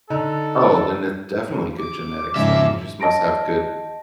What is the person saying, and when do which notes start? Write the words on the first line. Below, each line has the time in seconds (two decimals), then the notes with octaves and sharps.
Oh, then it's definitely good genetics then. You just must have good,
0.10 D3 D#4 A4
1.78 D6
2.36 G#2 C#3 F3 E5
3.00 D#5 A5 A#6 D7